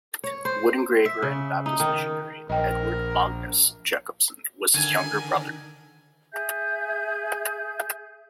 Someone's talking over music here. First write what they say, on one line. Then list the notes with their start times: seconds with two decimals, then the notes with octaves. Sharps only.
Wood engraver and Baptist missionary Eduard Magnus Jakobson was his younger brother.
0.24 C#5
0.45 C5
1.06 E5
1.22 C#3
1.66 D#4
1.80 D#3
2.49 A#1 A#4 D#5 G5
4.74 D3 D#3 G#5
6.34 G#4 E5 G#5 G6